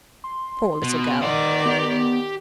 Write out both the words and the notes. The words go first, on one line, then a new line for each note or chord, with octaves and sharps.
Poor little girl!
C6
B2
D#3 D5 D#5 F#5
B3 G4